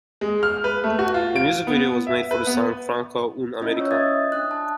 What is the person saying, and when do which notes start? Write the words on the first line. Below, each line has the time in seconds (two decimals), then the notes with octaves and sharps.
A music video was made for the song, "Franco Un-American".
0.21 G#3
0.43 F6
0.64 B4
0.84 A3
0.99 F#4
1.14 F4
1.36 D7
1.67 B3
2.07 E5
2.31 B4
2.47 B3
3.61 C#4 E4 F4 B4 D#5
3.77 C#5 E6
3.91 D#5 E5 D#6 G#6 A6
4.32 D4 D#6 F#6
4.51 A5